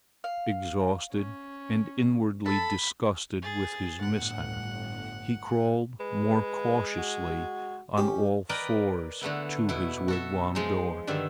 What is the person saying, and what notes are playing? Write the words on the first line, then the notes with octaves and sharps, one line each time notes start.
Exhausted and inwardly disgusted with his mishaps, he crawled more cautiously on all fours to his wigwam door.
F5
C#4
A4 A5 B5
G#4 A6
G1 A2 F#5
G#3 B4
F#4
C#4 G4
A#4 B4 D5 D#5 G5 A#5
D3 A3 B3 E4
B2 E4
F#4 A4 E5
F3 G#3 D#4
G2 D3 D#3 E5